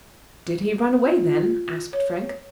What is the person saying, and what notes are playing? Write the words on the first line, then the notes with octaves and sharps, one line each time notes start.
"Did he run away then?" asked Frank.
F4
C#5